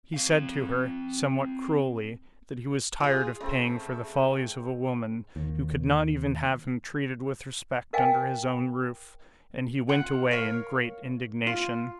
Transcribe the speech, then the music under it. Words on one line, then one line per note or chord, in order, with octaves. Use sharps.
He said to her, somewhat cruelly, that he was tired of paying for the follies of a woman who could not even have him treated with respect under his own roof, and he went away in great indignation.
C4 F5
F4 G#4
C#3 A3 C4
D#2
A#4 D#5 F5 G5 G#5
F4 F#5
A#4 C#5 F5
F4